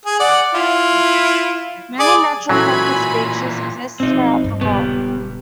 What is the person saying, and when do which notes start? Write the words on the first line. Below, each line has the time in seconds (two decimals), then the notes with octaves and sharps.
Many natural pocket beaches exist throughout the world.
0.05 G#4
0.20 D5 F#5
0.54 E4 F4
1.99 G#4 D5 D6
2.49 A#2 E3 F#3 C#4 E4 A4 G#5 B5
4.00 B1 F3 C4 D#4
4.44 G2
4.61 D#1 C#3 G3 B3